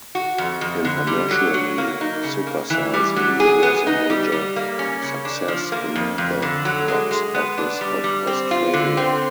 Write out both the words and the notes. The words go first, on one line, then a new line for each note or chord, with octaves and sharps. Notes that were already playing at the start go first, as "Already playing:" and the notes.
Internationally, "Super Size Me" was a major success in the box office of Australia.
F#4
F2
F2
D3
G3
F#3
F#3
A#3
D#4
C#3
A#3
E3
G3
F#3
G#4
B3
D#4
G3
G3
A#3
C#4
C#3
D4
F3
A#3
F2
F2
D3
F#3
G#3
G#3
B3
D4
G3
G3
C4
F4
D3
C4